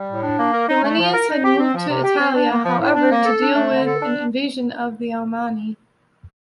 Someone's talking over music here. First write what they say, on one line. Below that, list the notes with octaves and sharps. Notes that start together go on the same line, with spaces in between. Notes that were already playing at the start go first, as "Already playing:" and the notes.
Gallienus had moved to Italia, however, to deal with an invasion of the Alamanni.
Already playing: G3
A2
D4
A#3
A#4
D#4
A3
F3
A#4
D#4
G4
C4
F3
C3
G4
C4
D4
A#3
F3
A2
D4
A#3
A4
D4
A3
D3
A4
D4